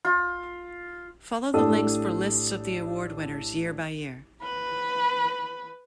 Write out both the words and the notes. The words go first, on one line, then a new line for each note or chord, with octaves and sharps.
Follow the links for lists of the award winners, year by year.
F4
A2 D4 G4 A4 D#6
B4